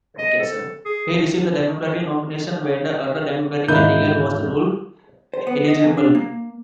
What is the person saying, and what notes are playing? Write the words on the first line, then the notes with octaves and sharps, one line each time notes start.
He received the Democratic nomination when the other Democratic candidate was ruled ineligible.
D#5
A4
G#4
E1 G#2 D#3 A#3 E4 D#5 F#6 G6
C5
B3
D#5
E2
D4
A#3